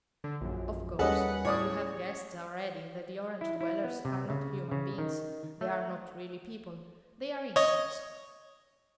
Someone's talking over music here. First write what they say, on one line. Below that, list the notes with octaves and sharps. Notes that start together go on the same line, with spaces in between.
Of course, you have guessed already that the Orange-dwellers are not human beings; they are not really people; they are insects.
D3
A#1 F#2
D#2 G3 C#4 G#4 A4 B4 D#5 F#5
A2 C#5 D5 D#6
E4
E4
B3
C3
C#3
C#3
D#3
A3
C#5 D#5